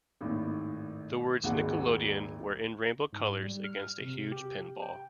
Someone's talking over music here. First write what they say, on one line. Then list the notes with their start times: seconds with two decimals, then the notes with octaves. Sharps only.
The words "Nickelodeon" were in rainbow colors against a huge pinball.
0.21 G#1 D#2 A2 D#3
1.43 D#1 G#1 D#2 G#3 F#4 F#5
3.13 G#2
3.43 G3
3.64 F6
4.01 C3
4.32 G4
4.82 G5